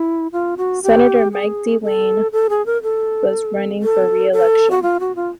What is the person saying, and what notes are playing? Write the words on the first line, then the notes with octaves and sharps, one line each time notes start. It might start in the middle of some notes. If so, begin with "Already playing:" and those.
Senator Mike DeWine was running for re-election.
Already playing: E4
F4
F#4
G4
G#4
A4
A4
G#4
A#4
A4
A4
A4
F#4
F4
F#4
F4